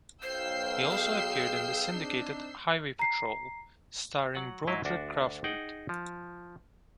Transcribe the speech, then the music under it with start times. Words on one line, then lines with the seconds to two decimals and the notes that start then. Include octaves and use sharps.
He also appeared in the syndicated "Highway Patrol" starring Broderick Crawford.
0.22 B1 C5 F5 G5 E6 G6 C7
0.90 G#4
1.92 C4 D4 D#4
2.99 A#5 C7
4.35 F#3 F#5
4.67 G#2 F#3 E4 D#5 F5
4.85 D2 D4 F#4
5.44 D#4 G#4 F#5 G5
5.89 F3